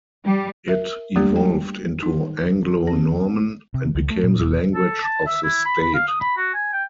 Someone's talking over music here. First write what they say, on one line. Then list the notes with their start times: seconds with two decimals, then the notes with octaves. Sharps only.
It evolved into Anglo-Norman and became the language of the state.
0.25 G3
0.68 A#4 E5
1.16 G3 A3 A#3 D4 G4
1.36 G5
2.03 D#4
2.87 C4
3.74 C3
3.95 C#2
4.10 A3
4.23 A#2
4.40 E1
4.74 A4
5.02 A5
5.26 E5
5.43 E4
5.65 B5
5.81 B5
5.94 F5
6.07 D#6
6.21 B5
6.37 F#4
6.54 G#5
6.72 G5